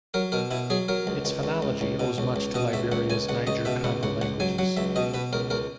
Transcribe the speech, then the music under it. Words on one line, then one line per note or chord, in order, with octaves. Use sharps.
Its phonology owes much to Liberia's Niger-Congo languages.
F#3 A#4
B2 A#4
B2 E4
F#3 G#4
F#3 A#4
C#2
C#2
C#2
C#2
C#2
B2
C#2
C#2
B2 D#5
C#2 E5
C#2 F#5
C#2 G#5
C#2 F#5
C#2 D#5
B2 E5
C#2 F#5
C#2 F#5
C#2 F#5
F#3 G#5
F#3 F#5
C#2 E5
B2 D#5
B2 B4
C#2 A#4
C#2 A#4